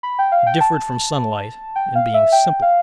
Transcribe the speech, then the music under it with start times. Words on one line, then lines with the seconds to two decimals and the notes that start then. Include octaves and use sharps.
It differed from sunlight in being simple.
0.03 B5
0.19 G5
0.32 F5
0.47 G5
0.60 A5
1.75 G5
1.95 F5
2.14 E5
2.32 G5
2.62 F5